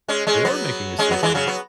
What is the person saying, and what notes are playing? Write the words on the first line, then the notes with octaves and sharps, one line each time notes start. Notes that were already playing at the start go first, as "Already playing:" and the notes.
They are making a sequel.
G#3 C#4
G#3 C#4
F#3 B3
G#3 C#4
F#3 B3
E3 G#3
C#3 F#3
F#3 B3